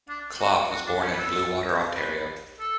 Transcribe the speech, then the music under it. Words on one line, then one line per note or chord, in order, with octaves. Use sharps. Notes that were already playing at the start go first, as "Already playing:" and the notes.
Klopp was born in Bluewater, Ontario.
D4
F#4
F#4
D4
C#4
B4
A4
B4
A4